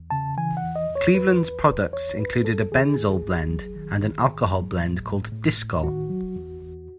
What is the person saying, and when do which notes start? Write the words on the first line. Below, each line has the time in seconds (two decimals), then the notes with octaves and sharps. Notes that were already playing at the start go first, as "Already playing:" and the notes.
Cleveland's products included a benzole blend and an alcohol blend called "Discol".
Already playing: E2
0.10 C#3 A5
0.37 E3 G#5
0.57 F#5
0.63 E2
0.76 D#5
0.90 E2
0.95 C#5
1.15 E2 B4
1.41 E2
1.67 E2
1.93 E2 C#5
2.19 E2 B4
2.45 E2 A4
2.71 D#3 G#4
2.98 E2
3.24 E2
3.49 F#3
3.76 D#3
4.02 D#3
4.28 A2
4.54 F#3
4.80 A2
5.06 A2
5.32 A2
5.57 A2
5.83 D#3 F#4
6.10 F#3
6.36 E2
6.62 E2